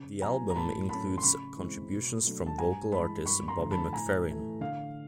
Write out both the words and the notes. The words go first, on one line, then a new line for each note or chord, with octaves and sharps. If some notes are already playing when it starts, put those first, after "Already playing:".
The album includes contributions from vocal artist Bobby McFerrin.
Already playing: C#3
F#3 B3 E4 G#5 A#5
A#5
A2 A5 B5
F#3 A3 C#4 A5 B5
C6
C#3 B5 C#6
E3 G#3 C4
B2
F#3 A3 D4
A5
G2 G#5 A#5
E3 G#3 A5 B5
G2 B5 C#6
A#5 C6
D3 F3 A3
A5 B5
A2 G#5 A#5
E3 A3
D3 F5